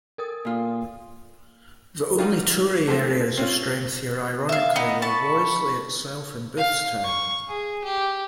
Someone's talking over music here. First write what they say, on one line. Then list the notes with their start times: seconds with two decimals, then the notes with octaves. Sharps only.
The only Tory areas of strength here ironically were Worsley itself and Boothstown.
0.18 A4 A#4 D#6
0.45 A#2 F4
2.19 F#3 G3 D#4 F4
2.87 A3 B3 C4 A4
3.38 C4 C#4 F4
4.49 E5 F5
4.76 B3 D#4 D#5
5.02 A5 B5 C#6
6.57 F5
7.05 C#6
7.48 G#4
7.84 G4